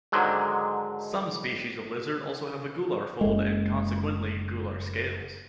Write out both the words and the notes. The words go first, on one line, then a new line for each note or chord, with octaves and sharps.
Some species of lizard also have a gular fold and consequently, gular scales.
G#2 D3 D#3 F#3 G#3
F#1 G#3